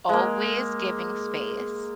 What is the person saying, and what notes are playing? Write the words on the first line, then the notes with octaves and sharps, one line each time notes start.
always giving space.
G#3 A#3